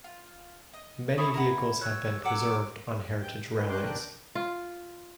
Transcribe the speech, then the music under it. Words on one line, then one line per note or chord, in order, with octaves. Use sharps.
Many vehicles have been preserved on heritage railways.
F4
D#5
E4 G#4 D5 E5 C6 C#6
E4 A#4 F#5
C#5 E6 F#6
F#3 A4 F#5 D6 E6
F#2 G5 G6
G#3
F#4 B4 D#5
C#4 A#4 C6 D6 F#6 G6
D#2 D3 D4 A#4 G5 F#6
F4